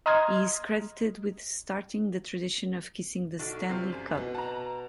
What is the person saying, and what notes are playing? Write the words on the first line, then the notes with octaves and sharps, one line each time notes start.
He is credited with starting the tradition of kissing the Stanley Cup.
D#5 A#5 C6 D#6 F6 G#6
B1 F#4 A4 D5
C3 C4 F4
F#2 C3
B2 B4
F#5 A5 A#5